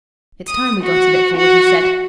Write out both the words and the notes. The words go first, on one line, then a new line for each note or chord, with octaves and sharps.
"It's time we got a bit forward," he said.
D#6
F#4
F#4